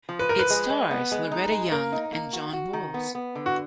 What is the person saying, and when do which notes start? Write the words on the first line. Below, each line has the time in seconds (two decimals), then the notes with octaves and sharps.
It stars Loretta Young and John Boles.
0.09 F3
0.19 B4
0.29 F3 A#4
0.39 B4
0.50 G#3
0.70 G#3
0.91 B3
1.12 G#3
1.31 D#4
1.51 G#3
1.71 A#3 A#4
1.92 D#4
2.13 A#3
2.33 F#4
2.53 F#4
2.73 D#3
2.94 B3
3.15 B3
3.35 D3
3.46 F#4